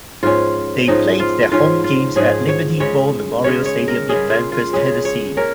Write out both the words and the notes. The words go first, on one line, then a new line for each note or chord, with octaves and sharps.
They played their home games at Liberty Bowl Memorial Stadium in Memphis, Tennessee.
G#2 F3 C#4 F4
G#2 F3 C#4 D#4
F4
G#2 F3 C#4 F4
F4
G#2 F3 C#4 G#4
C#5
C#3 G#3 C#4 C#5
C#3 G#3 C#4 C#5
C#5
A#4
C#3 G#3 C#4 G#4
F4
F4
C#3 G#3 C#4 G#4
C#5
A#3 C#4 A#4